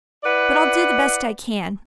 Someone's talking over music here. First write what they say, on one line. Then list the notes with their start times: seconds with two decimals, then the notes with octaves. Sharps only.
But I'll do the best I can.
0.23 E4 B4 D5 F#5